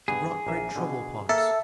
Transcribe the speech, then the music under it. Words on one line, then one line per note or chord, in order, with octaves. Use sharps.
He brought great trouble upon us.
G2 B3 G#4
A#1 A#3 E5
B2 D3
A#3 A4 E5